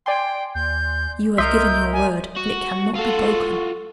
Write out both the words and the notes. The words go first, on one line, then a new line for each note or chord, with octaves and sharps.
You have given your word, and it cannot be broken.
D5 G5 G#5 C6
D#2 G6
C2 A#4 D#5 E5 C6 G6
G#5
F#4
F4 F#4 A4